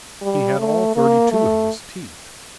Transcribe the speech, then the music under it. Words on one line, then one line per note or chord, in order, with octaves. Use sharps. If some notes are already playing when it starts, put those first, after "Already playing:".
He had all thirty-two of his teeth.
G3
A3
A#3
A3